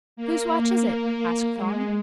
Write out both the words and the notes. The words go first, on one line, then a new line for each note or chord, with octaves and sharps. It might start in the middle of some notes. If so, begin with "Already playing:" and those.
"Whose watch is it?" asked Thong.
A#3
G#3